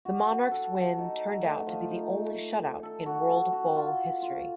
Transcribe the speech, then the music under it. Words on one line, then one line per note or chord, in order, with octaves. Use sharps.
The Monarchs' win turned out to be the only shutout in World Bowl history.
F#4
F#4
F#4 A4
A4
D#4
A3
F3
D#4
A4
F#4
A4
F#4
F#4
F4
F4